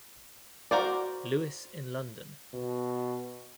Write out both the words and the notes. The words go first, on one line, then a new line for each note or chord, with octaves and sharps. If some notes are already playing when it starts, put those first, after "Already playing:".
Lewis in London.
F#4 A#4 C5 D5
B2